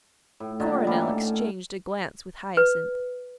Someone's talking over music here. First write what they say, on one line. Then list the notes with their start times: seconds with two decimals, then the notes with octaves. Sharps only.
Coronel exchanged a glance with Hyacinth.
0.40 A2
0.60 A#2 D3 D#3 F#3
0.87 G3 A3 A#3 C#4
1.01 A2
2.57 B4